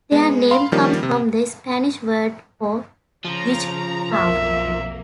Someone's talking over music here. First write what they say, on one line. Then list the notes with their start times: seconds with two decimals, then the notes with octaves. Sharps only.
Their name comes from the Spanish word for "witchcraft".
0.12 G#3 B3
0.51 F5 B5 C6
0.72 D#3 F3 G3 A#3 C#4
1.03 C3
3.25 C#3 F3 A#5
4.13 B1 F2 A#3 E5